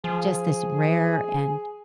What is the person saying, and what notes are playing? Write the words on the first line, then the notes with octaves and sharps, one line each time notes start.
just this rare and
F3 G#4